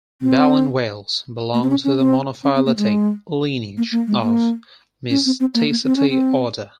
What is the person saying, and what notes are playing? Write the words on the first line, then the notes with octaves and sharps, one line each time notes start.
Baleen whales belong to the monophyletic lineage of Mysticeti order.
C4
A#3
C4
C#4
C#4
C4
C#4
C4
A#3
G#3
A#3
A#3
G#3
A#3
C#4
C4
C4
A#3
A#3
C4
C#4
C4